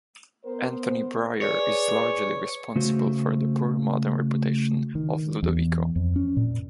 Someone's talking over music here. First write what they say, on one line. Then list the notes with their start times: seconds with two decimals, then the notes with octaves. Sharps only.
Anthony Bryer is largely responsible for the poor modern reputation of Ludovico.
0.45 B3 A#4 C5
1.41 G#4 B4 C#5 D5
2.75 C#3 A3 F#4 C5
4.95 D#3
5.43 E2
5.96 F2
6.16 C#4
6.37 A#2